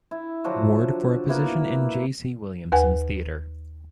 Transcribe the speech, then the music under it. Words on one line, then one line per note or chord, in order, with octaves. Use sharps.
Ward for a position in J. C. Williamson's theatre.
E4
D3 F3 F#3 D4
A#3 B3 E4
D#2 B4 F#5 G#5